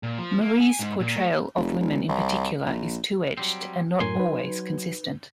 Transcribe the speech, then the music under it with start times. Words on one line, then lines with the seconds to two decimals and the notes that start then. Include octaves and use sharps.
Marie's portrayal of women in particular is two-edged and not always consistent.
0.03 A#2
0.18 F3
0.41 A#3
0.61 G#5
0.79 G#2
1.00 A#2
1.16 A3
1.56 F1
1.80 E1
2.08 C2
2.65 A#1
3.38 F#3 G3 C4
4.00 F#2 A2 F#3 A#4 G#5 C6
4.19 D#4 B4